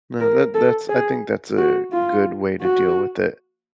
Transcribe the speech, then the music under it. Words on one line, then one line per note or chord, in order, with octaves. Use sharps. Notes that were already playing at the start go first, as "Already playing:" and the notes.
No, that that's I think that's a good way to deal with it.
A#4
A4
G#4
F#4
F4
F#4